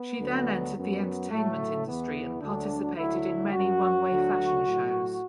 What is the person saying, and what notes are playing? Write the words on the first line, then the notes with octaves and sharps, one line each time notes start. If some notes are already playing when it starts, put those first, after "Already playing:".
She then entered the entertainment industry and participated in many runway fashion shows.
Already playing: B3
D2 D3 F#3
F#2 F#3 B3
A2 F#3 A3
E2 E3 B3
D2 D3 F#3 D4
D2 D3 F#3 E4
F#2 F#3 F#4
D2 D3 F#3
A2 F#3